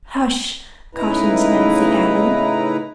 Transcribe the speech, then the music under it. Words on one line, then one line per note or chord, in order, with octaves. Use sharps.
"Hush!" cautioned Nancy Ellen.
A2 C#3 D#4 E4 B4 A#5